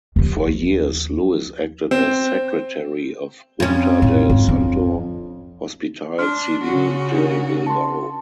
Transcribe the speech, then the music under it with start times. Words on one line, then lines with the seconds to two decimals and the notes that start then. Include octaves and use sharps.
For years Luis acted as secretary of Junta del Santo Hospital Civil de Bilbao.
0.16 D#2 F3
1.91 C4
3.60 F2 C#4
4.02 A2
4.29 G#2 F4
4.49 D4
6.19 D4 C6 F6
6.63 C#3 F#4
7.15 D4 D#4 A#4
7.67 A5 C6